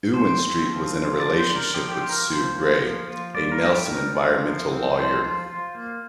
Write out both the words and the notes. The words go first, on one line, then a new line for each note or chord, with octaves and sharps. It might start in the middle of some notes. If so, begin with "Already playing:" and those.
Ewen-Street was in a relationship with Sue Grey, a Nelson environmental lawyer.
F3 C5
C4
F3
F4
F3 D5
C5
D4
A#4
F3 G4
G4
F4
A#4
F3 C5
A#3
F3
F4
G3 D5
A#4
D4
G4
G3 A#4
F4
F3
C4
F3 C5
F4
F4
A#3